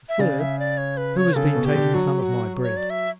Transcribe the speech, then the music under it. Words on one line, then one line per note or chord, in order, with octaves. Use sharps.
The third, "Who has been taking some of my bread?"
E5
C#3 D5
E5
D5
C#5
B4
C#5
C#3 A4
B2
G4
D3
F#3 F#4
G4
F#4
C#5
D5
E5